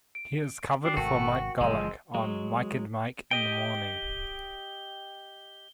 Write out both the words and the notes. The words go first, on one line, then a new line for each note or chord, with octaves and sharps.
He has covered for Mike Golic on "Mike and Mike in the Morning".
D7
D4 F#4 G5 C7
G#1 C3 A3 F#4 A#4 G5
F#1 A#2 E3 F3 G#3 C4
F#3 G#3
G4 D#5 G5 G7